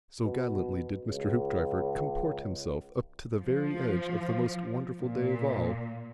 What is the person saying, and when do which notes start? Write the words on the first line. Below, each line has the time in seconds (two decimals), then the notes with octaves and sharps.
So gallantly did Mr. Hoopdriver comport himself up to the very edge of the Most Wonderful Day of all.
0.24 B2
1.04 C#2
3.40 F3
5.02 A#2